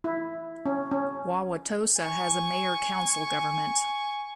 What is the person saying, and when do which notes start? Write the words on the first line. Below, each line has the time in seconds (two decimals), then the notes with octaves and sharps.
Wauwatosa has a mayor-council government.
0.04 E4
0.66 C#4
0.91 C#4
1.97 G#5 C#6